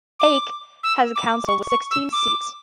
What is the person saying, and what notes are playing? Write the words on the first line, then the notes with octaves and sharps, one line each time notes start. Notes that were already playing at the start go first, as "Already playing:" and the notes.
Aach has a council with sixteen seats.
D6
E6
D6
C#6
C#6
E6
D6